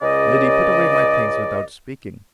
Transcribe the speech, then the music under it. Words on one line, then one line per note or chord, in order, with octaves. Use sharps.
Liddy put away my things without speaking.
C#2 C#3 D5 D#5